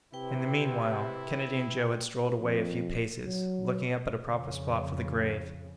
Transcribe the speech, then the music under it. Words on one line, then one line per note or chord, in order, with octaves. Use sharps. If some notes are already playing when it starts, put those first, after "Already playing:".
In the mean while, Kennedy and Joe had strolled away a few paces, looking up a proper spot for the grave.
C3 E4 B4 G5
F2
F#3
F2 C#3